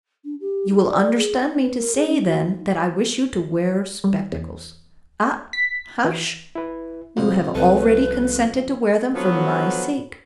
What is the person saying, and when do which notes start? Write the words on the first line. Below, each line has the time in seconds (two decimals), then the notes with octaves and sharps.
You will understand me to say, then, that I wish you to wear spectacles;--ah, hush!--you have already consented to wear them, for my sake.
0.24 D4
0.40 G4
0.70 D#4
0.89 D5
1.16 G#4
1.42 D#4
1.62 B4
1.77 A#4
1.95 G#4
2.07 C#4
2.25 F#4
2.46 D#4
4.04 G3
4.32 E2
5.53 B6
6.04 E3
6.55 E4 B4
7.17 F2 C3 G3 F#4
7.55 C2 C3 A4 B4
9.14 D3 F3 F#3 B3